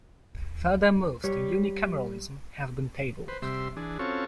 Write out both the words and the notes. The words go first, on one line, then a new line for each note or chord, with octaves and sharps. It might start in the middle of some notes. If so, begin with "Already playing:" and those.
Further moves to unicameralism have been tabled.
G3 C#5
B4 C5
C3 G3 E5 C6
E3 D4 G#4
C4 C#4 F4 F#4 A4 C#5